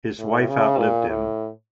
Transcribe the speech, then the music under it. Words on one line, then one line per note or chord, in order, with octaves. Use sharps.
His wife outlived him.
A2
C#3
A#2
A2